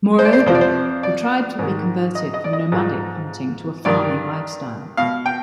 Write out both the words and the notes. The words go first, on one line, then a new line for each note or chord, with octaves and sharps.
Moreover, the tribes would be converted from nomadic hunting to a farming lifestyle.
C5
D5
C5
D5
F2 C3 F3 C5
D5
C5
D5
G#2 D#3
D#5
D#5
D5
D#5
G#2 F3
G2 D#3 D5
B2 F5
G5